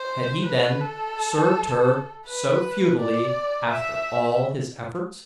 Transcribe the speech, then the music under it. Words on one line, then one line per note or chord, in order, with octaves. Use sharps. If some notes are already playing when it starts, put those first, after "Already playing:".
Had he, then, served her so futilely after all his efforts?
Already playing: C5
B4
A4
B4
D5
E5